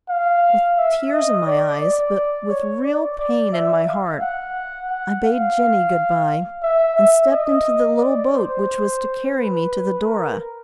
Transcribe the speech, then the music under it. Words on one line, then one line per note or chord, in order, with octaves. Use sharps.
With tears in my eyes, but with real pain in my heart I bade Jennie good-bye, and stepped into the little boat which was to carry me to the "Dora."
F5
E5
D#5
D5
D5
C#5
D5
D5
E5
F5
F#5
F#5
F5
E5
E5
D#5
D5
C5
B4
A#4